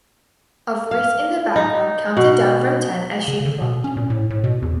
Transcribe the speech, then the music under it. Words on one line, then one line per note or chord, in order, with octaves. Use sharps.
A voice in the background counted down from ten as she plucked.
F5
D#4
B2
C#3
D3
B2
C#4
A#2
A2
A2
B2
E2